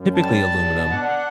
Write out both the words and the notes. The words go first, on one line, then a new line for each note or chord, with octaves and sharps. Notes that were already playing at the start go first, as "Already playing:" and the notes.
typically aluminum,
Already playing: F#2
G3 A5
E2
B2
D4 F#5